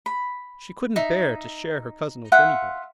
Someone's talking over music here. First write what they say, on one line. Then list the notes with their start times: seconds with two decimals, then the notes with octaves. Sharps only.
She couldn't bear to share her cousin with anybody.
0.06 B5
0.96 D#4 E5
2.32 F4 E5 F#5